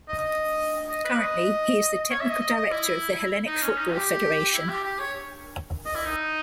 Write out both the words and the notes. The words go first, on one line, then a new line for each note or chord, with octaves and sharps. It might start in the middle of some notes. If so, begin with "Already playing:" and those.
Currently, he is the technical director of the Hellenic Football Federation.
D#5
D#5
D#5
B4
D#5
C#5
E5
D#5
D#5
D#5
E4
D#4
C#4
D#4
G4
E4
G4
G4
C#5
D#5
E4
D#4